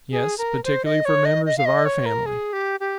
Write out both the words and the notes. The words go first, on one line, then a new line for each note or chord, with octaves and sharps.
"Yes. Particularly for members of our family."
G#4
A#4
C5
D#5
C#5
D#5
D#5
F5
D#5
C#5
A#4
G#4
G4
G4